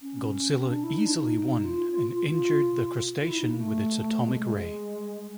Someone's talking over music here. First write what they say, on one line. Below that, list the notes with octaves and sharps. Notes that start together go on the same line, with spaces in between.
Godzilla easily won and injured the crustacean with its atomic ray.
C#4
D4
E4
D#4
D4
D#4
F4
F4
F4
E4
D#4
A#3
A3
G#3
A3
G#3